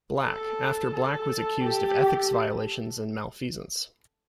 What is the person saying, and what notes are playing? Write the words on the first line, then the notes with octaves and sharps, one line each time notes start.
Black, after Black was accused of ethics violations and malfeasance.
A4
A4
G4 A4